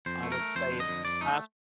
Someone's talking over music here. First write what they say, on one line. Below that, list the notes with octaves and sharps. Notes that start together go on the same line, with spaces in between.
I would say it has
F2 C5
A3
A#4
A3
F2 C5
D3
D#5
F2
F2 D5
A3 D#4